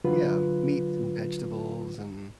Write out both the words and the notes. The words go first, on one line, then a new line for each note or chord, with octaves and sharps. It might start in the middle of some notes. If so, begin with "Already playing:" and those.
Yeah, meats and vegetables, and
D3 F#3 F4 B4